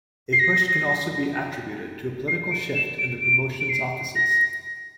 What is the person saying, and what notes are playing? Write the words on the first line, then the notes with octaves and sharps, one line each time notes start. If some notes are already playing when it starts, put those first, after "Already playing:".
A push can also be attributed to a political shift in the promotion's offices.
C7
A#6
C7
D7
E7
D7
D7
D7
C7
A#6